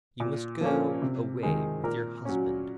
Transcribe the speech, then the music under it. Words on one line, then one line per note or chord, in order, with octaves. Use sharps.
You must go away with your Husband.'
A#2
F3 A#3 C#4
C3
D#3 G#3
A#2 A#4
F#3 C#4